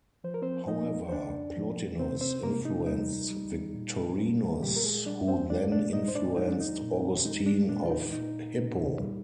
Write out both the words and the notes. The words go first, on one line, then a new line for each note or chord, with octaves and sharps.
However, Plotinus influenced Victorinus who then influenced Augustine of Hippo.
F3 C5
A#4
C4 C5
F3 D#4 D#5
C5
F2 D4 D5
F3
C3 C4 C5
C4 C5
C3 A#3 A#4
D#4
G3 D#4
G3
A#2
G3
A#2 G3 G4
A#4
G#3 G#4
G3 D4 D5
C4 C5
G#3 D4 D5
D4 D5
A#2 D#4 D#5
C5
D4 D5
G#3 D#4
D4
D#4
A#2
G#3 D#4
D4
A#2 D4
F4
D#4
A#2 D#4
A#2
G3